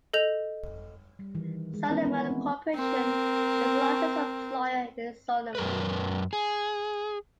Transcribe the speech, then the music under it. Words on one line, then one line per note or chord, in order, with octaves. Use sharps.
Solomon Corporation is the largest employer in Solomon.
A4 D#5 G6 F7
G3
D#3 E3
G#3
B3 C#4 E4 A#4
B3
C4
C4 A#4
F#2 A#4 B4
G#4